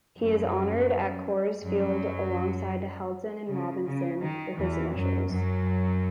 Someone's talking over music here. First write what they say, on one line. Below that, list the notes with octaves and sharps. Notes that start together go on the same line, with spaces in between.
He is honored at Coors Field alongside Helton and Robinson with his initials.
F#2 F#3
F#2 F#3
C#3
C#3
D#3
E2 E3
F#2 F#3
F#2 F#3